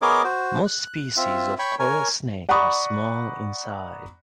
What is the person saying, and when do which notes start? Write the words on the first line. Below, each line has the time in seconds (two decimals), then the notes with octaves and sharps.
Most species of coral snake are small in size.
0.02 B3 G#4 A#4 C#5 D#5 D6
0.24 F#4 C5
0.66 F#6
1.17 C4 F4 E5
1.59 C#5 G5 B5 C#6
1.79 A#4 C#5 G#5
2.49 D5 F#5 A#5 B5 C#6 D#6